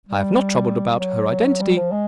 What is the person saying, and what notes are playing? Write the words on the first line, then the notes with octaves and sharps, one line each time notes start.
I have not troubled about her identity.
G3
G3
F#3
G3
F3
G#3